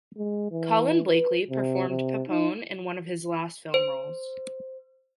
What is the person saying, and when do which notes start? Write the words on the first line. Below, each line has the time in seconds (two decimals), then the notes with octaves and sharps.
Colin Blakely performed Peppone in one of his last film roles.
0.18 G#3
0.51 E3
1.08 B4
1.50 C3
1.89 C3
2.29 D#4
3.74 C5